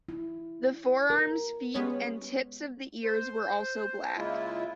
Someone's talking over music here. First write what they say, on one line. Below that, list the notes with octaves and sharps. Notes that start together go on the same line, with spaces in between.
The forearms, feet, and tips of the ears were also black.
E4
A#4
G3 G#3 B3 C#4 C#5
C5
C#3 G#3 A#3 E4 F4